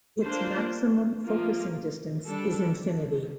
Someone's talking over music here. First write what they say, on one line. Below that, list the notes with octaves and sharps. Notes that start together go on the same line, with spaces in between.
Its maximum focusing distance is infinity.
A#3 D4 F4 C5
F3 A#3 F4
G3 D4 A4